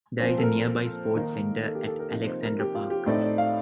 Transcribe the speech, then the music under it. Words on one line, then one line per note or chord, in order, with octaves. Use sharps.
There is a nearby sports centre at Alexandra Park.
A#2 F3 C4 C5
A4
A#4
D#3 A#3 D#4
A4
G4
A4
A#4
C3 F3 A#3 D#4
C5
A#4
G4
F4
G4
A2 A3 C4 D#4 D5
D5
F5